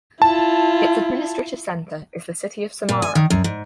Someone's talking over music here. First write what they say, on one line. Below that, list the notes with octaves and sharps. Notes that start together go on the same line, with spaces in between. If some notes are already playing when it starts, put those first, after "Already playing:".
Its administrative center is the city of Samara.
E4 F4 A5
A#2
G#5
D#3
F#2
G#2